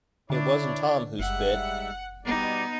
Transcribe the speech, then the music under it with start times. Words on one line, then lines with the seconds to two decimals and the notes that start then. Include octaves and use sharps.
It wasn't Tom who spit.
0.30 D3 D4 E4 C#5 D5
1.19 F#1 G#2 G3 E5 F#5
2.25 B2 G3 B3 D#4 D5